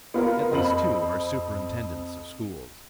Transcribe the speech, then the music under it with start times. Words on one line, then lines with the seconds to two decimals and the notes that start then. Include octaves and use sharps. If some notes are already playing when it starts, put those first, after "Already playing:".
At least two are superintendents of schools.
0.14 B3 F4 A#4
0.52 F2 C4 B5 F#7